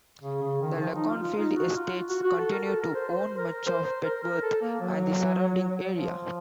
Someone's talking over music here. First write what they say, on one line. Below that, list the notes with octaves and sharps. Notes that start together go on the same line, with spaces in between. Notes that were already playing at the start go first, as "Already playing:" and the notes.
The Leconfield Estates continue to own much of Petworth and the surrounding area.
C#3
C#3
D#3
D#3
F3
D#4
F4
F4
D#4
F#4
F4
F#4
F#4
A4
A#4
A4
A#4
C5
C5
A#4
C5
C5
A#4
A#4
A4
A#3
F#3
F3